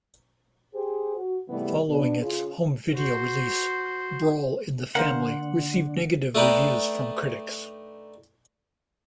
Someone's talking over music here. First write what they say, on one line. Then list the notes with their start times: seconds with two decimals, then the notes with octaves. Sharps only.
Following its home video release, "Brawl in the Family" received negative reviews from critics.
0.75 G4 G#4 C5
1.16 F#4
1.49 G#2 C3 E3 G3 A3 B3
1.89 B2 B3 D4
2.21 C#3 F4
2.93 F#4 C5
4.95 D3 A#3 D4 C5 F#5
6.35 A3 D4 D#4 B4 G5